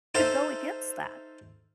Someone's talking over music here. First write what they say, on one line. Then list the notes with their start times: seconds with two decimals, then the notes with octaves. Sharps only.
could go against that?
0.15 D#4 A4 C5 E5 F5